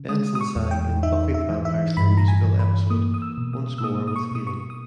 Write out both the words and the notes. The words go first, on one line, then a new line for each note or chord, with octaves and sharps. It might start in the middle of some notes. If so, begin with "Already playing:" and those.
Benson sang in the "Buffy the Vampire Slayer" musical episode "Once More, with Feeling".
Already playing: C#3
G#3 D#6
D#6
C#6
E2
G5
D#4 E5
E5
E3
E5
G2 B5
A#5
G#5
E3
B5
A#3 D#6
D#6
E6
B2
D#6
E6
A#3 D#6
D#6
C#6
B2 D#6
C#6
D#6